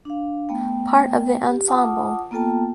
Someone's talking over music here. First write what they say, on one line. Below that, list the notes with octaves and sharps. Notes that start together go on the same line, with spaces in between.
Part of the ensemble.
D4 F5
A3 B3 G5
G4
F4 F#5 A5 D6 D#6
A#3 B3 F4 A4 G5 A5